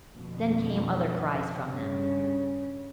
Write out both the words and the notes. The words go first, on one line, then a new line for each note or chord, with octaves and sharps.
Then came other cries from them.
F2 B2 D3
G2 C#3